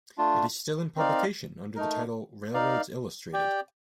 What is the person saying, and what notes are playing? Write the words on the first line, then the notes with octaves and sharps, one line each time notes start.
It is still in publication under the title "Railroads Illustrated".
A3 D4 F4
C4 D#4 A#4 D5 F5
A3 D#4 A#4
D#4 A#4 D5 F5
G4 D5 G5